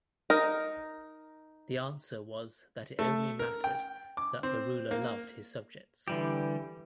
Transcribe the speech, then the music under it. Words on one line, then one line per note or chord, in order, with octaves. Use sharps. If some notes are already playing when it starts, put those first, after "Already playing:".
The answer was that it only mattered that the ruler loved his subjects.
D#4 A#4
A3
A#4
G5
D6
C4
A#3
D3 E3 G3 G4